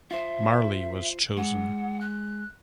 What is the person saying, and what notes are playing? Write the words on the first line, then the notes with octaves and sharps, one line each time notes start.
Marly was chosen.
F4 C5 E5
G#3 F#5
F#6